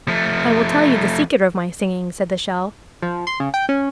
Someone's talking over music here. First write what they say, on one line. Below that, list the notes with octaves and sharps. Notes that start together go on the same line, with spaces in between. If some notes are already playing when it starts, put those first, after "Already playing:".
"I will tell you the secret of my singing," said the shell.
F3 A3
F3
C6
C#3
G5
C#4